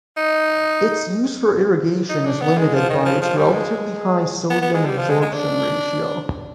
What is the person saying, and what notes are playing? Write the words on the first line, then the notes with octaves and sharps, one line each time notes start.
Its use for irrigation is limited by its relatively high sodium adsorption ratio.
D#4
D#4
D4
B3
G#3
F3
D#3
F3
F3
G3
G#3
B3
B3
G#3
G3
F3
G#3
G#3
D4